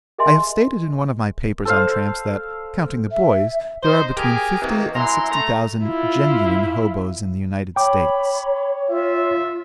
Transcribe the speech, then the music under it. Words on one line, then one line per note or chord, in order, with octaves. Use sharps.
I have stated in one of my papers on tramps that, counting the boys, there are between fifty and sixty thousand genuine hoboes in the United States.
G#4 A#4 D#5 E5 G#5 C6
A4 C5 F5
E5
D#4 C5
G4 G#4 A#4 G#5
C3 D#3 E3 A#3
F#2 E4 A#5 C6
A3 A#5
E4 F4
C#5 G5 B5 D6
F4 E5